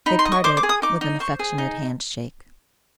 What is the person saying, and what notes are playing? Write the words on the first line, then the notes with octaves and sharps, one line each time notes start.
They parted with an affectionate handshake.
D#4 B5
C6
D#5
C#6
C5 D6
D6
G#4
D#6
D#4 D6
D#4
C5 C#6
G#4
D#4